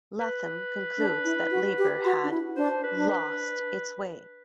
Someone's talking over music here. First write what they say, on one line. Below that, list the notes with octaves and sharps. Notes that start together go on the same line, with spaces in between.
Latham concludes that Labor had "lost its way".
B4
D4
E4
F#4
G4
F#4
D4
E4
D4 C5
B4
D4
B4